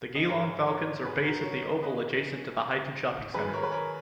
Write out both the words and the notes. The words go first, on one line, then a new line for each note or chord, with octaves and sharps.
The Geelong Falcons are based at the oval adjacent to the Highton Shopping Centre.
D#5
G#2 E3 G#3 A#4 C#5
A#4 C#5
G#4 B4
F#4 A#4
A#4 C#5
D#5
B4 D#5
F#2 D#3 G#3 G#4 B4
A#4 C#5
B4
A#4 C#5